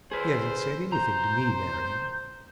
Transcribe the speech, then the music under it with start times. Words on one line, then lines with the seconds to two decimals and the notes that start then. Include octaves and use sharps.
'He hasn't said anything to me, Marian.'
0.11 G#4 B4 C5
0.92 C5 A#5 G6